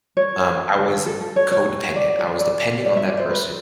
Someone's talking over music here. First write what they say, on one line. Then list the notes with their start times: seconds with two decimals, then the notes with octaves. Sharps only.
um, I was codependent, I was depending on that person
0.17 C#5
1.06 A4
1.21 A4
1.36 C#5
1.52 C#5
1.96 D5
2.19 D5
2.41 D5
2.86 D5
2.97 E5
3.08 D5
3.19 C5
3.30 B4